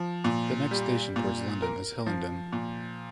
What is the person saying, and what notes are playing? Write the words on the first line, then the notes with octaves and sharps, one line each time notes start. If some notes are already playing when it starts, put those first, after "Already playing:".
The next station towards London is Hillingdon.
Already playing: F3
A#2
G3
A#2
A#4
F3
A#2